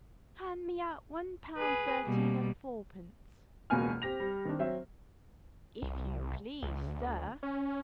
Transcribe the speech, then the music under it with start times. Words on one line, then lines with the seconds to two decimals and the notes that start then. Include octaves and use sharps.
"Hand me out one pound thirteen and fourpence, if you please, sir."
1.57 G#4 B4
2.05 B2 G3 A#3
3.70 E1 C#2 B2 A#3 G#5 F6
4.02 C4 G4 A#6 F7
4.20 G3
4.45 D#3 C4 D4
4.59 F#3 C4 E5
5.82 C2
6.62 C#2
6.87 D2
7.43 C#4